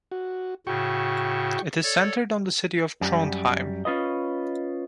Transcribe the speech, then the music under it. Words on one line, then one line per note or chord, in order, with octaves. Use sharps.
It is centered on the city of Trondheim.
F#4
A2 C#3 F#4 G5 C#6
A4 C#5 D5
F#2 G3
C#4 F4 B4 D#5